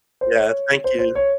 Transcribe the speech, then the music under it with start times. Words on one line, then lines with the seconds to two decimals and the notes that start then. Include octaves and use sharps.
Yeah, thank you.
0.21 C5
0.37 C#5
0.84 C5
0.99 C5
1.15 C#5